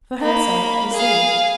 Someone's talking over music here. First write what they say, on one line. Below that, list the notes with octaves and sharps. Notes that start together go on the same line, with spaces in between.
For her sake he ceased.
A#3 B5
G#4 F5